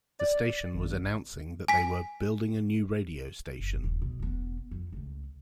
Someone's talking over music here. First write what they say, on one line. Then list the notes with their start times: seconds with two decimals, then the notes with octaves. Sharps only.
The station was announcing that they were "building a new radio station".
0.20 D5
0.74 G#1
1.68 G#5 B6
3.59 F#1
3.84 D#1
4.02 B2
4.20 E1 B3
4.71 F2
4.92 C#2 A3